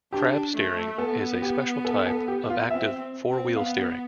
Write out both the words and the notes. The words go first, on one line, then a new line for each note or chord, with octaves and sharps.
Crab steering is a special type of active four-wheel steering.
D4 G4
A3
B3 A4
G4
A4
A4
G4
F4
C4 E5
C4
B3 F5